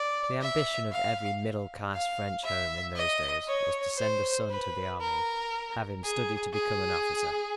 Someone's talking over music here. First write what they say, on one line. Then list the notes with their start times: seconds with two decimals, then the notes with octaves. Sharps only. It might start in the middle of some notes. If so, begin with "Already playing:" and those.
The ambition of every middle-class French home, in those days, was to send a son to the army--have him study to become an officer.
Already playing: D5
0.41 E5
0.92 F5
1.94 F5
2.45 E5
2.96 D#5
3.48 C#5
3.98 C5
4.50 B4
5.01 A#4
6.04 G#4
6.54 G#4